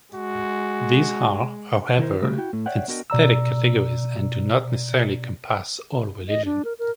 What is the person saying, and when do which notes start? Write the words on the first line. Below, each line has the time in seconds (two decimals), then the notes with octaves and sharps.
These are, however, synthetic categories and do not necessarily encompass all religions.
0.14 G#3 F#4
1.99 D#3 E4 A#4 C5
2.22 C#3 G3 A3 F#4 G4
2.38 E4 F#4 G5
2.53 A2 A3
2.66 C#5 D5 E5 F#5 G5
2.88 B3 D4 F#4 A#4 D#5 G5
3.10 B2 D5 A#5 E6
6.29 D#5
6.45 D4
6.65 A#4
6.79 A#4